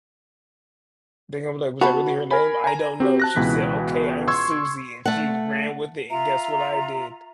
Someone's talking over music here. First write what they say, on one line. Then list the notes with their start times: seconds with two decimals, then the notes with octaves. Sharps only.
They gonna be like, "Was that really her name?" "I don't know. She said, 'Okay, I'm Suzie', and she ran with it, and guess what I did?"
1.81 B3 F#4 A5 B5
2.31 A#4 G#5 B5
2.64 G#5 A#5
3.00 C4 F#4 G4
3.20 A5 F#6 A#6
3.36 C#2 B2 E3 B6
4.28 C6 C#6 E6 G#6
5.05 A3 F#5
6.09 F4 E5 A#5